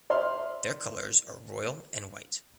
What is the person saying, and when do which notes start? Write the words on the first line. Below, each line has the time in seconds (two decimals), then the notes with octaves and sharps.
Their colors are royal and white.
0.10 C5 D5 E5 C6 F6